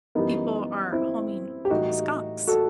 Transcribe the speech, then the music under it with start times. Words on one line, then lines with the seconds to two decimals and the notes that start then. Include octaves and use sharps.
people are homing skunks.
0.15 F#2 E3 G3 B3 D#4
0.92 C4 E4
1.65 G4
1.70 A2 E3 G3 D#4 F#4
2.47 F#4 A4